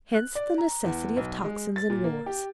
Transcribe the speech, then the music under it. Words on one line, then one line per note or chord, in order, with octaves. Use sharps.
Hence the necessity of tocsins and wars.
F#6
D5
A#5
E2
B1
G#3
A6
A#2
A#3
G4